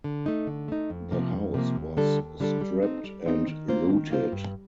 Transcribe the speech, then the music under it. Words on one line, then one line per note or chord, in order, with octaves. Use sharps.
The house was stripped and looted.
D3
A3 D#4
D3
A3 D#4
F2
C3 F3 A#3
F2
C3 F3 A#3
D#2
D3 G3 D4 A4
D#2
D3 G3 D4 A4
G3
C4 D#4
G3
C4 D#4
D#3
A#3 F4 C5
D#3
A#3 F4 C5
G2